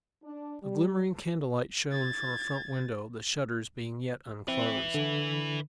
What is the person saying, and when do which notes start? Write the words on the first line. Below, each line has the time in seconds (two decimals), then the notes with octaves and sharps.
A glimmering candlelight shone from a front window, the shutters being yet unclosed.
0.22 D4
0.61 G3
1.91 G#6 A6
4.48 C4 B4 E5
4.94 D3